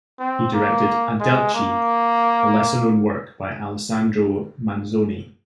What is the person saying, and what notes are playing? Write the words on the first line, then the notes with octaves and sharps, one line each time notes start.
He directed "Adelchi", a lesser-known work by Alessandro Manzoni.
C4
A#3
G#3
A#3